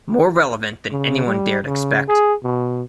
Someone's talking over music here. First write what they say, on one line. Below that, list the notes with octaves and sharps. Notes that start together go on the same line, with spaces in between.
More relevant than anyone dared expect.
C#3
G3
C#3
G#4
B2